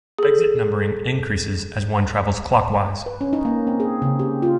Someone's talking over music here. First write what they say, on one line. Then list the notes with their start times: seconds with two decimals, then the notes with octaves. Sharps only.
Exit numbering increases as one travels clockwise.
0.18 G#4 A4
3.06 B4
3.21 C#4
3.33 D#4
3.45 A#3
3.67 C4
3.80 G#4
4.02 C#3
4.19 G4
4.42 F4